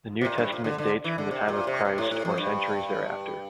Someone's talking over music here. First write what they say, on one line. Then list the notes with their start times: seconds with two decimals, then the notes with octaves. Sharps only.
The New Testament dates from the time of Christ, or centuries thereafter.
0.21 C3
0.25 A#2
0.38 G2
0.52 A#2
0.64 D3
0.78 D3
1.04 E3
1.18 D3
1.31 C3
1.48 A#2
1.67 C3
1.85 C3
1.98 A2
2.11 A2
2.25 F2
2.38 G2